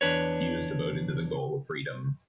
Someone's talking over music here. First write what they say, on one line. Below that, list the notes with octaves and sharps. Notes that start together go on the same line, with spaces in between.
He was devoted to the goal of freedom.
E2 D4 B4 C#5